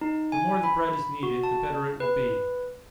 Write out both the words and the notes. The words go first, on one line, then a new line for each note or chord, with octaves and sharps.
The more the bread is kneaded, the better it will be.
D#4
G#5
B5
F#4
A5
B4